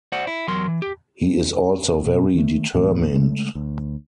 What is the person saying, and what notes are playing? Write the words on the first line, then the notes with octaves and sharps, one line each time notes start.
He is also very determined.
C5 D5 F#5
E4
E2 F#3 A#4 C6
E3
G4
B2
D#3 A3
D2 A2 E3 A#3
C#3 G#3 A3
D2